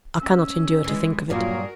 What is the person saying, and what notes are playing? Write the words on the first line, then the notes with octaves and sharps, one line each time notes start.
I cannot endure to think of it.
C#4 E6
E3 G#3
G2 A#2 F#3 A#3 F4 F#4 G#4 A#4